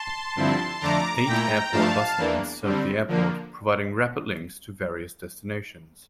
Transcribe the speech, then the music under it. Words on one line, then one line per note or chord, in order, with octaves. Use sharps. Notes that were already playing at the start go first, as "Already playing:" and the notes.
Eight airport bus lines serve the airport, providing rapid links to various destinations.
Already playing: A5 C6
G2 D3 F3 C4 E4
F2 D3 A3 D4 A#5 D6
A#2 A3 E4 G5 A#5
G2 F3 A3 D4 F5 A5
E2 E3 A#3 D4
D3 G3 C4
D3 F3 A#3